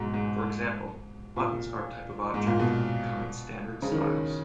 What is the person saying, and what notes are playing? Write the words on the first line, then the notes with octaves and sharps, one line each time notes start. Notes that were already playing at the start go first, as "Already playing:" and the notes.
For example, buttons are a type of object, and come in standard styles.
Already playing: G#2 B2 F#3
G#2
A#2
G#2
A#2
B2
C#3
D#3
C#3